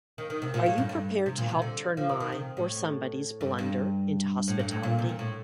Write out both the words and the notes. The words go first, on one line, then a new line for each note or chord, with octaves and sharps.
Are you prepared to help turn my, or somebody's, blunder into hospitality?
D#3
D#3
C3
A#2
A2
G2
G2
C3
A#2
C3
D3
F3
D#3
D#3
C3
A2
G2
G2
A2
G2
A2
A#2
C3
A#2
A2